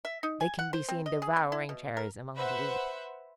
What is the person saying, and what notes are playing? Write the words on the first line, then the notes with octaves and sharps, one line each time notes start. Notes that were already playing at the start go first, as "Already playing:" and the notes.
They can be seen devouring cherries among the wheat.
E5
D#4
G#5
F#5
C5
C4
D#5
G#4
C4
E4
B2
A#4
B4 C5 E5 F#5